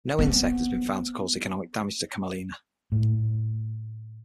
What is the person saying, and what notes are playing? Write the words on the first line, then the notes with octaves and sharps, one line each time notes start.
No insect has be found to cause economic damage to camelina.
B3 C4
A2